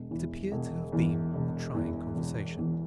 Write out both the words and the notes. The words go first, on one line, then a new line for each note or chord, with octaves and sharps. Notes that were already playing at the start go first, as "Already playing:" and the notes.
It appeared to have been a trying conversation.
Already playing: E1
E2 E3
E1
E2 E3
E1
E2 E3
E1
E2 E3